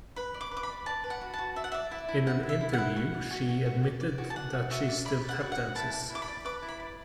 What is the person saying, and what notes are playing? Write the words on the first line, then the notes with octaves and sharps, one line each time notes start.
In an interview, she admitted that she still tap dances.
B4 B5
D5
D6
B4
D6
B5
D5
D5 A5
B4
F#5
F#4
A5
F#4
D5 E5
F#5
D5 E5
E4 E5
E4
D5 F#5
E4
E5
E4
E4 F#5
F#4
D5
F#4
F#4
F#4
D5
D5
F#4
A5
D5 F#5
F#4
F#4 E5
D5
D5 B5
D5
F#5
F#4
F#5
F#4
E4 A5
D5
E4
D6
B5
D5
B4 D6
E4
B5
D5